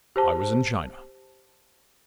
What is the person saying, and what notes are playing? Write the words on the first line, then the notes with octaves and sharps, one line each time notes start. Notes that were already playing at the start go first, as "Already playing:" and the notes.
I was in China.
G4 C5 A5